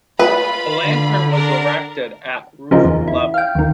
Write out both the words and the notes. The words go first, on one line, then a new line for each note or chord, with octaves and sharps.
A lantern was erected at roof level.
F4 B4 B5
D3
D4 A#4
C#3 F3 A#3 D#4
E2
E4
F5 G5
D#2 D#3